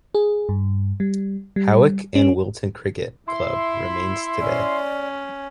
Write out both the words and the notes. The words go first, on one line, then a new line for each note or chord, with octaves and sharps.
Hawick and Wilton Cricket Club remains today.
G#4
G2
G3
G3
C#4
E4 E5 C6
C#4 D5